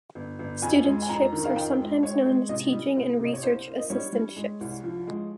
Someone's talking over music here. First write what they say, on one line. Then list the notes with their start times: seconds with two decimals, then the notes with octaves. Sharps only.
Studentships are sometimes known as teaching and research assistantships.
0.15 G1
0.39 G1
0.62 F2 G#5
0.85 G#3
1.02 G#5
1.09 F2 A#5
1.32 D#3
1.44 F5
1.56 F2 G5
1.79 G#3
2.03 G#3 C#5
2.26 G#3
2.49 C3 D#5
2.72 G3
2.96 C2
3.20 C3
3.25 D#5
3.33 C#5
3.43 C2 C5
3.67 A#3
3.78 D#5
3.90 G3 C#5
4.13 G3
4.36 G#3
4.61 C2
4.83 F3
5.07 G#3